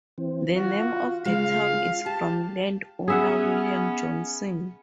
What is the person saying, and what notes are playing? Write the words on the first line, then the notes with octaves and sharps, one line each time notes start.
The name of the town is from landowner William Johnson.
E3 C4
F4 F#4
C#3 G#3 F4 F5
G4 A5
B3 C#4 G#4 E5 F#5